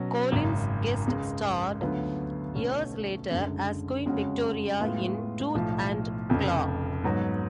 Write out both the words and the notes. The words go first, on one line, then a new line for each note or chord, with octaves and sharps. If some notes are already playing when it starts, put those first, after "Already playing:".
Collins guest-starred, years later, as Queen Victoria in "Tooth and Claw".
Already playing: B2 F#3 C#4
G#1 F#2 C#3
C#2 C#3 G#3
D2 D3 F#3 B3 F4
B1 B2 A3 C#4
F#1 F#2 D3 G#3
F2 C#3 G#3 C#4 F#4
A2 G#3 B3 F4
B1 A2 F3
F1 F2 C#3
G#2 F#3 B3